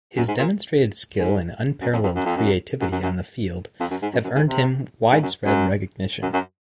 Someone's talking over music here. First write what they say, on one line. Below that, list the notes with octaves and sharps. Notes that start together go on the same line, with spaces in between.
His demonstrated skill and unparalleled creativity on the field have earned him widespread recognition.
F#2
G#2
A#2
G#2
F#2
F2
F2
F#2
F2
F#2
F#2
F#2
F#2
F2
F#2
G#2
F#2
F#2
G#2
C3
G#2
F#2
F#2
F#2
F#2